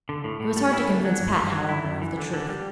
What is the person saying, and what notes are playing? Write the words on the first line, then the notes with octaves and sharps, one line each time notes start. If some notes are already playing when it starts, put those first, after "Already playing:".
It was hard to convince Pat, however, of the truth.
D3
A2
A2
G3
E4
D3
F#3
G2
G2
F#3
E4
F#2
E3
D3
D3
G3